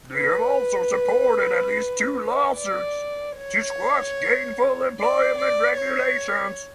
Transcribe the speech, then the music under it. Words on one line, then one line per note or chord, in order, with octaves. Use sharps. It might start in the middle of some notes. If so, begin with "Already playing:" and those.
They have also supported at least two lawsuits to squash gainful employment regulations.
B4
D5
C#5
D5
D5
C#5